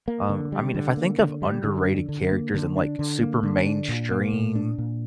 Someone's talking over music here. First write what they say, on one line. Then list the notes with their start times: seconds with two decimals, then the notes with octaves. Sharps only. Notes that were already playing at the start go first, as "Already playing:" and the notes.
um, I mean, if I think of underrated characters and, like, super mainstream
0.08 A#3
0.30 D3
0.52 G3
0.74 D3
0.97 A#3
1.19 D3
1.42 G3
1.64 D3
1.87 D4
2.09 D3
2.32 A#3
2.54 D3
2.76 D4
2.99 D3
3.21 A#3
3.43 D3
3.66 D4
3.89 A#2
4.11 A#3
4.33 A#2
4.55 D4
4.78 A#2